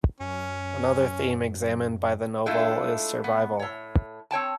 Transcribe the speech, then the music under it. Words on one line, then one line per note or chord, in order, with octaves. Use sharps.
Another theme examined by the novel is survival.
F#2 C#4
G#3 A3 D4 E4 F4
B3
A2 C#5
C4 C#5 G5 A5